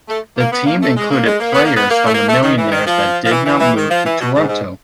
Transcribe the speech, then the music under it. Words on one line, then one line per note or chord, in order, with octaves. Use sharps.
The team included players from the Millionaires that did not move to Toronto.
A3
A#3
B3
A#3
A3
G#3
A#3
G#3
A#3
B3
A#3
B3
A#3
A3
A#3
A3
D#3
E3
D#3
F3
F3
E3
E3
E3
D#3
F3
E3
B2
G#2
G#2